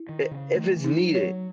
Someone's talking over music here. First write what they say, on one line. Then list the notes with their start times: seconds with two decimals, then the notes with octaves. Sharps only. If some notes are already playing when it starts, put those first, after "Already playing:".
er, if it's needed.
Already playing: E4
0.09 D#3
0.23 C5
0.31 C#3
0.54 D#3 A3
0.76 E3
0.84 D#4
1.00 F#3
1.15 C#5
1.23 F#3